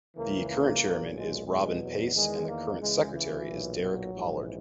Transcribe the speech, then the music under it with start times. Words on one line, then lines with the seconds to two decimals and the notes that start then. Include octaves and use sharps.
The current chairman is Robin Paice and the current secretary is Derek Pollard.
0.15 C#2 C#3 E3 A#3
0.48 A#3
0.82 B1 A#2
1.15 G#3
1.47 E2 B2 G#3
1.82 F#3
2.14 E2 D#3 G#3
2.47 A#3
2.80 C#2 C#3 E3 G#3
3.14 E3
3.46 B1 A#2
3.80 F#3
4.13 A#1 G#2 E3